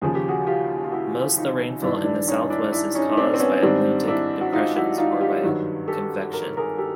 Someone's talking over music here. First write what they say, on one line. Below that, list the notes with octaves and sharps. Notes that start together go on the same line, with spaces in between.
Most the rainfall in the south-west is caused by Atlantic depressions or by convection.
D#2 C#3 F3 G#4
G4
F#4 G#4
F4 G4
F4
E4 F#4
D#4 F4
G2 D#3 G3 D4 E4
D4 E4
C#4 D#4
D4 E4
D4 E4
C#4 D#4
D#4
C4 D4
C4
B3 C#4
G#2 D#3 G3 C4 D4
D4 E4
F#4
D#4 F4
E4 F#4
D#4 F4
F4 G4
G2 D#3 F#3
G4 A4
A#4
G#4 A#4
G4 A4